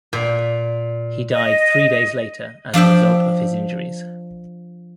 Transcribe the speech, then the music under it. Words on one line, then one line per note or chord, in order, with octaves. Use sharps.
He died three days later as a result of his injuries.
A#2
D#5
F3 D4 E5 G5